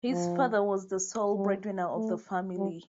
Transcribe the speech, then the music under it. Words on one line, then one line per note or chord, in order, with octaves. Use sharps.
His father was the sole breadwinner of the family.
F3
G3
A3
G3